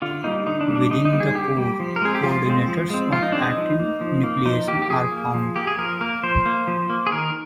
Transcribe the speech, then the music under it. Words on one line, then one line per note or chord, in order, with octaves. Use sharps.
Within the core, coordinators of actin nucleation are found.
D3 F4
G3 A#3 D#4
D3 D#4
D4
G3 A#3
D4
D3 D#4
D#4
G3 A#3
G#4
D3 G4
G3 A#3
F3
A#4
G#3 C4 G#4
G4
F3 F4
G#3 C4
F3
G#3 C4
F3 F4
D#4
G#3 C4 D4
D#4
F3
A#3
F3
A#3
F3 D#4
A#3 G4
G4
F3 G#4
A#3
F3
A#3 G4
G#4
F3 A#4
A#3 A#4
F3 C5
A#3
F3
A#3
G#4
D#3 A#4